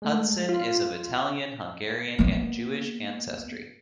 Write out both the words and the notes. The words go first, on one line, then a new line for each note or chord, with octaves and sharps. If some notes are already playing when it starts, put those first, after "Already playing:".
Hudson is of Italian, Hungarian and Jewish ancestry.
G#3 A3
F4
A#3 B3